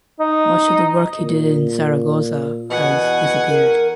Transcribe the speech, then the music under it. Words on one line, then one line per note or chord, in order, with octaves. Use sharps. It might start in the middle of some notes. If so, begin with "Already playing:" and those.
Much of the work he did in Zaragoza has disappeared.
D#4
A#2
E2 B2 F#5 G#5
A#4